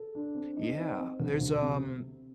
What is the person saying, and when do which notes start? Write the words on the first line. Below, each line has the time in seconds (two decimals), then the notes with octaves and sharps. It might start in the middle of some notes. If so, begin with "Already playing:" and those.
Yeah, there's, um,
Already playing: A4
0.15 D4
0.35 C4
0.57 D#4
0.78 C4
0.99 C4
1.19 D2
1.41 D2
1.62 C3